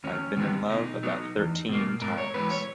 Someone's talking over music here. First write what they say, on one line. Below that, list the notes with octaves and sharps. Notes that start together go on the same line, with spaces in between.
I've been in love about thirteen times.
D#2 C#4
D#3 G#3 B3
B2 D#4
F#3 B3
E2
B2 A#3
G#2 A#4
C#5
E3 G#3 B3 B4
C#5